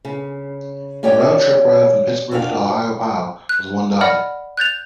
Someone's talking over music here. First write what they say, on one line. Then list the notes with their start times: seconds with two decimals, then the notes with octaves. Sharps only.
The round trip ride from Pittsburgh to Ohiopyle was one dollar.
0.05 C#3
1.03 A#3 C#4 G4 C#5 D5 G5
2.32 F2 C3 D4 F#4 F5 G5
3.49 F#6
4.01 D5 D#5 F#5 B5 F6
4.57 F#6 G6 A6 F7